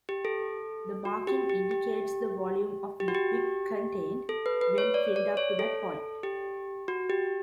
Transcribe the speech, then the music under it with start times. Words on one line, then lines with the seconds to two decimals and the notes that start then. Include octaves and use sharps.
The marking indicates the volume of liquid contained when filled up to that point.
0.09 G4
0.25 A4
1.05 F#4
1.27 G4
1.49 G4
1.71 G4
3.00 G4
3.08 F#4
3.15 G4
4.29 A4
4.46 B4
4.61 B4
4.78 C#5
4.94 D5
5.16 D5
5.37 C#5
5.59 A4
6.23 G4
6.88 F#4
7.10 G4